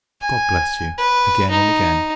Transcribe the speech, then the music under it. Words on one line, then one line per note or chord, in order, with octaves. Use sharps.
God bless you, again and again!
G#5
B4
D#4